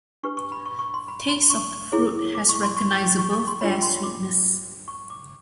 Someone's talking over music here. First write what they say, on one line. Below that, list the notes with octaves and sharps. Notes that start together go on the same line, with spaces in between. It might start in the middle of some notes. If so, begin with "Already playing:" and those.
Taste of the fruit has recognizable fair sweetness.
D4 G4 B4 C#6
C#6
B5
C#6
C#6
C6
B5
C6
C#6
E4 G#4 C#5
D6
C#6
C6
C#6
C#6
C#6
C#6
C6
D4 F4 A#4 C#5 B5
C6
D6
C#6
D6